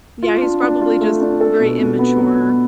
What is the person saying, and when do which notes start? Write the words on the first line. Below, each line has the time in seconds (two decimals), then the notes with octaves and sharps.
Yeah. He's probably just very immature.
0.23 F4
0.42 D4
0.62 D4
0.81 F4
1.01 A3
1.21 D4
1.41 A4
1.60 B2
1.80 B2
1.99 B3
2.19 B3
2.38 B2